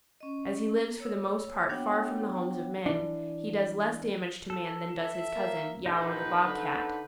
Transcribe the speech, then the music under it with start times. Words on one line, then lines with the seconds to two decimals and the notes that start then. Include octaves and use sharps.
As he lives for the most part far from the homes of men, he does less damage to man than does his cousin, Yowler the Bob Cat.
0.21 C#4 D#5
0.98 A#3 C#5 E6
1.69 B3 D4 F#4 C#5 F#5 G5
2.86 E3 D4
4.50 A4
5.02 E5
5.36 A#3
5.86 A#1 D#4 B4 C5
6.47 D3